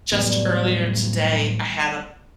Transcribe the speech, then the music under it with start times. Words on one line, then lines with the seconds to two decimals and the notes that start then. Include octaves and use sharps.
just earlier today, I had a
0.12 A2 E3 F#3 G3 A3 B3 D5 G#5